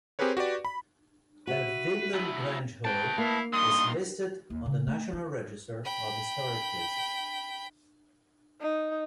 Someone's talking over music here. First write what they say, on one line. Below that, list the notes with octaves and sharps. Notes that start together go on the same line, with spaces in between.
The Vinland Grange Hall is listed on the National Register of Historic Places.
C4 G4 G#4 A#4 B4 C#5
F#4 G4 B4 D5
B5
F#4 B4 E5
D2 E4
C4 B4 G5 A5
A#3 E4 F5
G2 D#3 C6 D#6
D#2
C#3
A3
E3
G5 B5
D#4